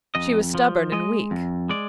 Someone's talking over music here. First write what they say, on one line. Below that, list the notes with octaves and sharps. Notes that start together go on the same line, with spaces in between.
She was stubborn and weak.
F2 D#5
F3
G#3 D#5
F2
G#3 D5